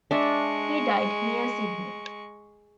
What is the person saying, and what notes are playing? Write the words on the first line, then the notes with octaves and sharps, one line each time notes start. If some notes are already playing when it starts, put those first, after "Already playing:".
He died near Sydney.
G#3 D4 E5 C#6